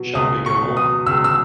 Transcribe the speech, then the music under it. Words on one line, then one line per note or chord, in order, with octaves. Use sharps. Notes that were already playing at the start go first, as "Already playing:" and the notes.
Shall we go on?
Already playing: B2 F#3
C#2 D#6
C#6
B2 F#3
D#6
C#2 E6
E6